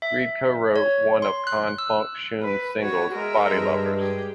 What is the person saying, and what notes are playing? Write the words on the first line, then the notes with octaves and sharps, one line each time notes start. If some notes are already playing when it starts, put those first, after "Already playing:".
Reid co-wrote one of Con Funk Shun's singles, "Body Lovers".
E5
C#5
C6
F#6
E6
B4
F#4 C#5
G#3 A#4 E5
G2
G4 G#4